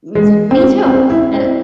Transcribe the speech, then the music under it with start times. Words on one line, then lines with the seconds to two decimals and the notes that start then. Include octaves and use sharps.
jus Me, too! Eh,
0.15 G#3
0.51 C4
0.86 C4
1.10 E4
1.34 C4